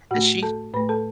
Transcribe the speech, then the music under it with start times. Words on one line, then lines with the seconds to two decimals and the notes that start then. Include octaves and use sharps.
And she
0.11 A2 A3 F#4 F#5
0.43 A4 A5
0.74 A2 A3 B4 B5
0.89 A4 A5